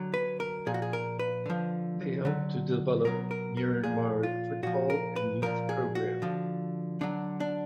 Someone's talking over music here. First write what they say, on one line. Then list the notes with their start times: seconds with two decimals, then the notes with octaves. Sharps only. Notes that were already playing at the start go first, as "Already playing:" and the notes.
They help to develop Myanmar Football and Youth program.
Already playing: D3 F#3
0.14 B4
0.40 A#4
0.66 A#2 F3 G#4
0.74 F#4
0.82 G#4
0.93 A#4
1.19 B4
1.46 D3 F3
2.25 D3 F#3
3.04 B2 F#3 A#4
3.31 A#4
3.57 A#4
3.84 A#2 F3 G#4
4.23 F4
4.63 A#2 F3 F#4
4.90 A#4
5.16 B4
5.42 A#2 F3 A#4
5.69 G#4
5.95 F#4
6.22 D3 F3
7.01 D3 F#3 D4
7.40 D4